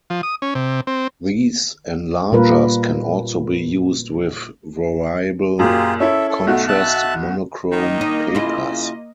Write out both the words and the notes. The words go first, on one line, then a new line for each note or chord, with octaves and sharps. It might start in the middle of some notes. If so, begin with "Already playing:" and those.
These enlargers can also be used with variable-contrast monochrome papers.
F3
D#6
C#4
C3
C4
A#2 G3 A#3 F4 A#4 B4
F#2 A#2 F4 G4 G#4
C#4 E4 A4 E5
A4
B1 A3 F#4
E5 A5 F#6
D#3 A#3 D#5
D#4
C#3 E4 F4